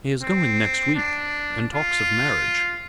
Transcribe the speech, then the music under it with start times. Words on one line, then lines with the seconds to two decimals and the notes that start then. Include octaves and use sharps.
"He is going next week, and talks of marriage."
0.22 C4
0.95 D4
1.74 F4